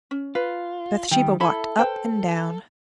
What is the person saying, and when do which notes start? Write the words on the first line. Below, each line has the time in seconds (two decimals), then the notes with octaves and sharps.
Bathsheba walked up and down.
0.11 C#4
0.35 F4 B4
1.11 D#3 G3 G5
1.40 E4 A4 E5 B5
1.77 B4 C5 G5